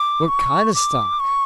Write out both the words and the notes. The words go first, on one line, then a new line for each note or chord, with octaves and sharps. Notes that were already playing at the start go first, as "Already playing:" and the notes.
"What kind of stock?"
Already playing: D6
C#6
D6
C#6